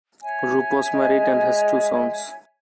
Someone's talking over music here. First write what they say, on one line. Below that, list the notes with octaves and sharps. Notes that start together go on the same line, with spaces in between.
Roop was married and has two sons.
C#5 E5 G#5
G#3